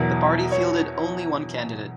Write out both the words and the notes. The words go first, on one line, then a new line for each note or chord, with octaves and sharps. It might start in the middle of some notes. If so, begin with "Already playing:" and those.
The party fielded only one candidate.
Already playing: E2 B2 F#3 A#4
C#5